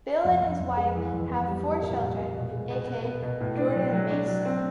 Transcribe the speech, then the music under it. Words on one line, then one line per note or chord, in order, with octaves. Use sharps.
Bill and his wife have four children aka Jordan Mason.
F2
F2
F2
G#3
E3
F2
B3
G3
G3
A#2
A#2
A#2
B2
G#3
B2
B3
B3
B2
A2
D4
F#3
F#3
D4
F#3
C4